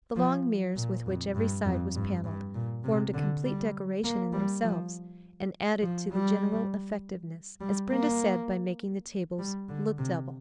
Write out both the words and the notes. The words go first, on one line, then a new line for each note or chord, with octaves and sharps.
The long mirrors with which every side was paneled formed a complete decoration in themselves, and added to the general effectiveness, as Brenda said by making the tables "look double."
F3
A#2
F2
G2
F2
G2
G2
A#2
C3
D3
G3
A#3
G3
F3
F3
G3
G3
A#3
G3
D3
C3